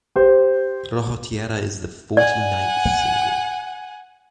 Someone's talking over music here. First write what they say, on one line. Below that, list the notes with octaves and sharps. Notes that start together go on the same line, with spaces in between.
Rojo Tierra is the forty ninth single.
G4 C5
D5 F#5 G#5